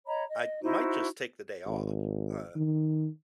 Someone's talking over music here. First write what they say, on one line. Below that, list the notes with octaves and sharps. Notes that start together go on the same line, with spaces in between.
I might just take the day off, uh
C#5 D#5 A#5 B5
D#5
D#4 E4 F#4 C5
G#1
D#3